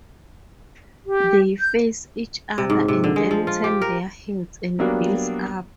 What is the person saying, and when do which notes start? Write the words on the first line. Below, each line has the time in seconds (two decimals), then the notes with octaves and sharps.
They face each other and then turn their heads and bills up.
1.07 G4
1.59 G6
2.58 C3
2.70 G#2
2.88 C3
3.04 D3
3.16 G#3
3.31 F3
3.47 F4
3.64 G4
3.82 A#4
4.79 F#3 G3 A#3 B3 D4